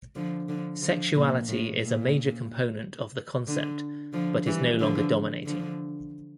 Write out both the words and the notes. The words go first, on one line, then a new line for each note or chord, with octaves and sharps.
Sexuality is major component of the concept but is no longer dominating.
D3 F3
D3 F3
D3 F3
A#2
A2
A#2
D3
D3 F3
E3 G3
D3 F3
D3 F3